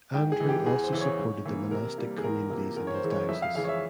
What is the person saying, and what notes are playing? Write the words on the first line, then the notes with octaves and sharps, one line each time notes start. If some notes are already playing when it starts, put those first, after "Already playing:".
Andrew also supported the monastic communities in his diocese.
G#2 G5
G#4
E3 G#3
G4
E2 G#4
C5
C#3 E3
C#5
G#2
E3 A#3
C3 A#4
G3 A#3
G#4
E2 A#4
C3 F3 A#3
E2 A#4
C#5
C5
C#3 E3 G#3
C#5
F2 E5
F5
C#3 E3 G#3 F5
C#5
E5